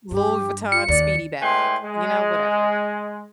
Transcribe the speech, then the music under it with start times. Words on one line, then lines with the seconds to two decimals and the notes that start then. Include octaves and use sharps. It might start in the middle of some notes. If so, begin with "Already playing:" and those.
Louis Vuitton speedy bag, you know, whatever.
0.11 G2 G4
0.72 F4 C#7
0.88 D#2 D5
1.41 A2 G#3 B4 G5 G#5 C6
1.84 G#3